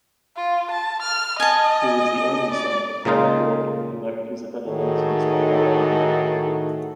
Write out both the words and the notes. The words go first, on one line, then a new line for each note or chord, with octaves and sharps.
He was the only son of Arthur Gordon who married Isabella Menzies of Balgownie.
F4
A5
F6
D#5 G#5 A5
D5
A#2 C#3 G#3 D#4 F4
A2 D#3 D#4 F#4 G#4 A4